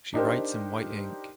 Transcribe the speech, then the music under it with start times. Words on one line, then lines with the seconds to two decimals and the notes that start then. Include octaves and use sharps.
She writes in white ink.
0.14 D4 D#4 G4 A#4 C5